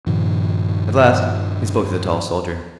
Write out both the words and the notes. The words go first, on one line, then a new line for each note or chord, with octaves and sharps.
At last he spoke to the tall soldier.
G2 A#2 D#3 F3